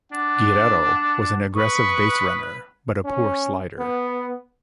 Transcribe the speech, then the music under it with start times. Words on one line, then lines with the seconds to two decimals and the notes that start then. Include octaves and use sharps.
Guerrero was an aggressive baserunner but a poor slider.
0.12 D4 F#5
0.86 F#5
1.55 B4 C#6 D#6
3.05 C#4
3.79 B3